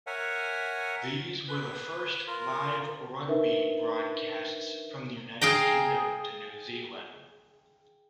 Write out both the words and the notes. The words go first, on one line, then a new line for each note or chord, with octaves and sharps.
These were the first live rugby broadcasts from the United Kingdom to New Zealand.
A#4 C#5 E5 F#5 G#5
B4
F4 A#4
D4 D#4 A#4 B4 E5
G#4 F5 G5 A#5